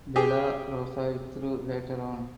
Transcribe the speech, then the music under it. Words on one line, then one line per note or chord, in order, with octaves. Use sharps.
Dela Rosa withdrew later on.
G4 G#4